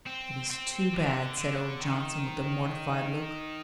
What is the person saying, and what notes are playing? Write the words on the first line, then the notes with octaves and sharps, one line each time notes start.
"It is too bad," said old Johnson, with a mortified look.
C4
C4
D3
D3
D#3